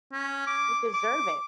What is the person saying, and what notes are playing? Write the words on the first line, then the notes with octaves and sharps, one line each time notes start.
you deserve it.
C#4
D6
D6